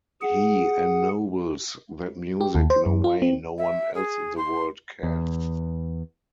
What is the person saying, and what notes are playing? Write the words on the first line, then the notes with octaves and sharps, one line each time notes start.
He ennobles that music in a way no one else in the world can.
G#4 F#5
G4
D#2
C5
F#2
F4
C4
E5
G#4
C6
E2